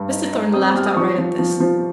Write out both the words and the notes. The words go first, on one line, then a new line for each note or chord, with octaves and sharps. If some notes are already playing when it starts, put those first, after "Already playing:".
Mr. Thornton laughed outright at this.
Already playing: G2
D#4
D#4
C4 D#6
D#6
G3 F6
D#6
F3 C#6
F3
F3
F3